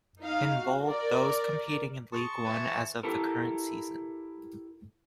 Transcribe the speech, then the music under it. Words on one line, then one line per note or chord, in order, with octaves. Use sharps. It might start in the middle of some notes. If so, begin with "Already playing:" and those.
In bold those competing in League One as of the current season.
D#4 F5
F#4
A#4 D5
G#4 A5 C6 C#6 D#6
B4 E5
E4 G4 A4 A#4